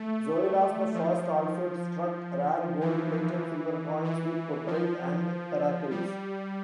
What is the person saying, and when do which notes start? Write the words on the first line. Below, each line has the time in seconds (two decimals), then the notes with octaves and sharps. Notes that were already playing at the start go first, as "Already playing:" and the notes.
Zoilos the First also struck rare gold-plated silver coins with portrait and Heracles.
Already playing: A3
0.94 F3
2.81 E3
4.04 E3
4.67 F3
5.91 G3